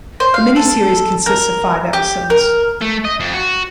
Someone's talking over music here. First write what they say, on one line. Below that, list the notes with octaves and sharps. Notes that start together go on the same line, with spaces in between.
The mini-series consists of five episodes.
C5
F5
A4
A#4
G4
A#4
A3
D#5
F2
F#4